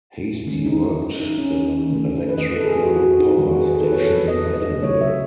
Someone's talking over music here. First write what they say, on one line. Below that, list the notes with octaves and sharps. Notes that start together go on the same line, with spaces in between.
Hastie worked in an electrical power station in Edinburgh.
D#3 G#3 C#4
D#4
E4
D#4
C#4
D#3 A3
B4
D#5
A4
G#4
F#4
F#4
D#4
D#3 G#3 F#4
G#4
B4
A4
B4
C#5
A4
B4
D#5
D#5
C#3 F#3 A3 C#5
E5